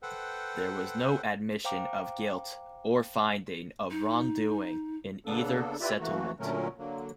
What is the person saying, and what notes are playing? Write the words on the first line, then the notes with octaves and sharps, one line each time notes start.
There was no admission of guilt or finding of wrongdoing in either settlement.
A4 B4 C5 F#5 G5
C5 F5 G5 A#5 D6
D#4
C#3 A#3 B3 D4 A4
E4 F4 G4 B4 D5 E5
E3 A3 A#3 F#4
A#2 D3 F#3 A3 C#4 A#4
D3 F#3 A#3